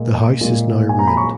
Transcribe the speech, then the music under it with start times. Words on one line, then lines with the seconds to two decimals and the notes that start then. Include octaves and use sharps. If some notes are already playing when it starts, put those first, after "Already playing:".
The house is now ruined.
Already playing: A#2 G#3
0.41 A#2 G#3
0.89 G#5
0.99 A#5
1.07 B5
1.17 C#6